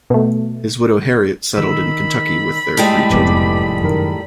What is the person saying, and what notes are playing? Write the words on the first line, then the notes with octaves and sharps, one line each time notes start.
His widow Harriet settled in Kentucky with their three children.
B2 A3
D#3 B5 E6
A2 G3 G#3
F1 F2 G#2 B3 D6
F#2 D#3 A#4